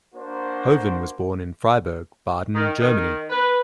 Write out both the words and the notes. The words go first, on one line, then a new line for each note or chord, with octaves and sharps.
Hoven was born in Freiburg, Baden, Germany.
A#3 D4 F#4 A#4 C5
D#3
D#3
B4